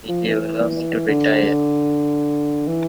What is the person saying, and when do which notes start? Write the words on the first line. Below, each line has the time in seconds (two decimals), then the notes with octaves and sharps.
Will you allow me to retire?
0.09 F3
0.28 E3
1.08 D3
2.68 E3